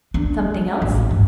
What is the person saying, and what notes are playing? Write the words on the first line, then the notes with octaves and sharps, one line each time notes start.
"Something else?"
D4
A1
G2